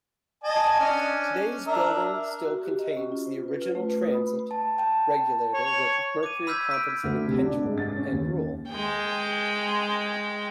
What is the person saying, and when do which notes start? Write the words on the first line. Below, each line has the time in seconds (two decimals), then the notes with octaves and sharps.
Today's building still contains the original transit, regulator with mercury-compensated pendulum, and rule.
0.44 D#5 G#5 A5
0.80 C#4 D4
1.67 D4 A#4 E5
2.45 F#4
2.63 G4
2.79 D#5
2.97 C#4
3.12 F4
3.27 C5
3.48 B4
3.62 F4
3.75 A3
3.89 B4
4.02 D#6
4.15 B5
4.51 A5
4.78 G5 A5
5.54 C#5
6.23 D6 D#7
6.47 B5 E6 F6 G6 G#6 B6
6.71 B6 D7
7.04 D2
7.27 C3
7.42 D4
7.64 G#2
7.78 A6
7.96 C#4
8.11 D#2
8.69 G#3 G5